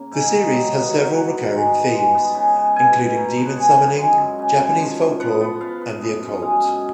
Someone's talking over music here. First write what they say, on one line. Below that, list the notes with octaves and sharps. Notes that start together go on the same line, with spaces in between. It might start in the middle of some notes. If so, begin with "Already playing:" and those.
The series has several recurring themes, including demon-summoning, Japanese folklore, and the occult.
Already playing: C#3 A#3
G#2
D#3
F#3
B3
F#3
B3 F#5
D#3
G#3
B3
G#3
B3
C#3
C#3
B2 G#5
B2
B2 A#5
B3
F#5
C#3 G#5
F#2
G#3
F#2
C#3
C#3
F3
F3
B3 F#5
B3
B3 F5
B3
F#2
F#2
D#5
G#3 F5
F#2